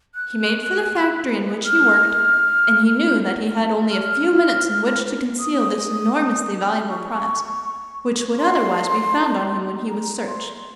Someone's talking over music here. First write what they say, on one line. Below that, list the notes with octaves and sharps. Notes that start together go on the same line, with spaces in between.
He made for the factory in which he worked, and he knew that he had only a few minutes in which to conceal this enormously valuable prize, which would otherwise be found on him when he was searched.
F#6
F6
F6
D#6
C#6
C6
A#5
C6